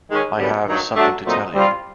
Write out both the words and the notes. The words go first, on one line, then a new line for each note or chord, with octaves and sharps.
I have something to tell you.
D#3 G#3 C#4
F#2 D3 G3 B3
G2 D#3 F#3
F#3 A3 D4
A#2 F#3 A3 C4 D#4
G3 C4 F4